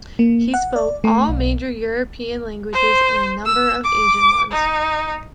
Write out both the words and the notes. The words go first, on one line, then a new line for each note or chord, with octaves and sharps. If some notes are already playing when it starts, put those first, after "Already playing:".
He spoke all major European languages and a number of Asian ones.
A#3
F#5
D5
A3
B1
C5
E6
D6
D#4